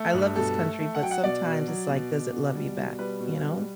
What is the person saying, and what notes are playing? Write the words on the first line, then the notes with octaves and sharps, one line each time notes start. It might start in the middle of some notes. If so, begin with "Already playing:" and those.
I love this country, but sometimes it's, like, does it love you back? You know?
Already playing: A3
G2
B2 A4
A3
A3
F#5
F#3 G5
F#5
B2 D5
B2
F#3
B2
B2
B2
G3
B2
G3 B4
B2
G3